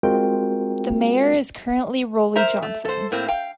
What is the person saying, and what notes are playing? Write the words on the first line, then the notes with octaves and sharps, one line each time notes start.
The Mayor is currently Rollie Johnson.
G#3 C4 F4 F#4 A#4 G5
A#4 C5 E5 A#5
A3
A4 C5
A2 A#3 C4
F5 G5